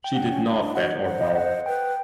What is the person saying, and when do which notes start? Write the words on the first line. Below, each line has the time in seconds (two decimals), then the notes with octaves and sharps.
She did not bat or bowl.
0.04 G5
0.15 D4 F#5
0.30 C#4
0.46 D4
0.60 D4
0.75 F#4 F#5
1.05 C5 F#5
1.20 D#5
1.35 F#5
1.66 B4 G5